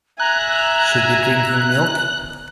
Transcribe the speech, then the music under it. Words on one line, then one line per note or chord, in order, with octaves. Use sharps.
Should be drinking milk.
E5 G#5 A#5 F#6